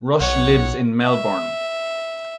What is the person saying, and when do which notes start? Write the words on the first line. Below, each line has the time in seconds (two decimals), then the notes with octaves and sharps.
Rush lives in Melbourne.
0.20 B1 C#5 F#5
1.03 E5